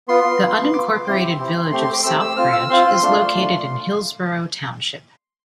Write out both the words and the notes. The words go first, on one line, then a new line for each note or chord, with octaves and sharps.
The unincorporated village of South Branch is located in Hillsborough Township.
B3 F4 C6
B3 F4
B3 F4 D6
C4 E4 G4 C6
C4 E4 G4
A3 C4 G4 C6
C6
D6
A3 C4 G4 E6
E6
C4 F4 F6
E6
C4 F4 C6
A3 D4 F4
A3 D4 F4